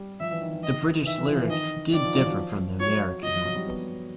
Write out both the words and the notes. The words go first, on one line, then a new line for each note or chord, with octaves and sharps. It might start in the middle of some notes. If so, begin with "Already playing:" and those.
The British lyrics did differ from the American ones.
Already playing: G3
F3 E5
E3
D#3
E3
D#3 D#5
E3
D#3 E5
E3
F3
E3
D#3 D#5
D#3 D5
F3
F#3
F3
F#3 C#5
F#3 D#5
F3
F#3
G3
B3